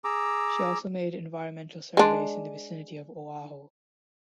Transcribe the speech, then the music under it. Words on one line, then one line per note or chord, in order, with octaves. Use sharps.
She also made environmental surveys in the vicinity of Oahu.
G#4 A#5 D6 E6
G#3 D4